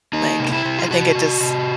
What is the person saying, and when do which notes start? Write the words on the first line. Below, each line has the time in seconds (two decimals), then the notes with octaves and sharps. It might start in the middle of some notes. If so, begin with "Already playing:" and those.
Like, I think it just
0.13 A#3 D#4
0.40 C3
0.52 E4
0.65 C3
0.79 F4
0.91 C3 F#4
1.15 C3
1.40 C3